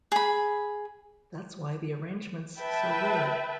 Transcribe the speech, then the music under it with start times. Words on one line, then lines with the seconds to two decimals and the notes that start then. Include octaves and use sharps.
That's why the arrangement's so weird.
0.12 G#4 B5
2.59 B4 E5 G5 A5